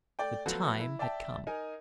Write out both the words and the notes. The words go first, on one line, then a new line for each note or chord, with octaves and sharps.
The time had come!
A3 D5 G5
F3 F#3 A3 B3 F#4 A4
E4
D5 E5 G5 A5
D#4 A#4 G#5